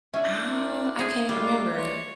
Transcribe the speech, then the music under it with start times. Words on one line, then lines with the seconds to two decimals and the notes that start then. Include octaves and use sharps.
Oh, I can't remember.
0.14 C#4 D4 E4 E5
0.51 A#4 D5
0.99 A3 G#4 C5
1.29 G3 G#3 D4 F4 G4 A#4
1.77 G#3 F4 C#5